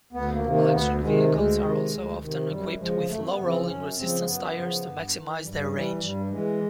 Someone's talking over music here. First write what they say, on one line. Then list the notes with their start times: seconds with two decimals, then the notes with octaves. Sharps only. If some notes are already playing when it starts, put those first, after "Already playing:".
Electric vehicles are also often equipped with low-rolling resistance tires to maximize their range.
0.13 D2 B3
0.33 A#3
0.43 C3 D#3
0.53 A#3
0.72 D2 B3
1.01 C3 D#3 G#3
1.30 D2 G#3
1.60 C3 D#3
1.89 D2
2.19 C3 D#3
2.48 F#2 G3
2.77 C#3 F3 G#3
3.07 F#2 A3
3.22 C4
3.27 B3
3.37 C#3 F3
3.46 C4
3.66 F#2 C#4
3.95 C#3 F3 C4
4.25 F#2 B3
4.54 C#3 F3
4.83 G2
5.13 E3
5.42 G2 G3
5.56 G3
5.71 E3 G3
6.01 G2 G3
6.30 E3 G#3